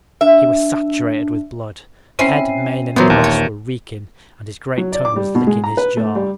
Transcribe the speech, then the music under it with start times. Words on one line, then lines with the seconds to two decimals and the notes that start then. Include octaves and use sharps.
He was saturated with blood: head, mane and breast were reeking, and his great tongue was licking his jaws.
0.21 D4 E5
2.19 C4 C#4 E4 C7 D#7
2.96 A#2 E3 F#3 B3 C5
3.10 D#2
3.24 C#5
4.78 F#3
4.92 D5
5.05 D6
5.16 G3
5.35 B2
5.47 G#3
5.64 A#5
5.77 B4
5.97 A3
6.15 G3